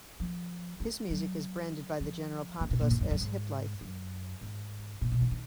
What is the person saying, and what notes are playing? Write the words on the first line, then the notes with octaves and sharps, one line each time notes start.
His music is branded by the general populace as hiplife.
F3
G#3
F#3
F3
C#3
B2
A#2
G#2
F#2
F#2
G#2
F#2
G#2
A#2
B2
D#3
D#3